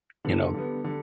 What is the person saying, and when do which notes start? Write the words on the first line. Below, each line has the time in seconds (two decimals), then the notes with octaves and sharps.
you know
0.25 D3 G3 B3
0.54 D3 G3 B3
0.84 D3 G3